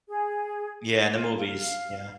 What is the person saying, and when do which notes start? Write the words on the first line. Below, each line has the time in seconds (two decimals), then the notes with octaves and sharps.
Yeah, in the movies. Yeah.
0.09 G#4
1.13 F4
1.38 F5